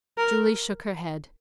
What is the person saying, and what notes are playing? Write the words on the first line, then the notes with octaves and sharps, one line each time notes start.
Julie shook her head.
A#4